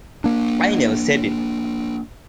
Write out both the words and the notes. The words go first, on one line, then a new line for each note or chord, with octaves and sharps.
I never said it.
A#3 D4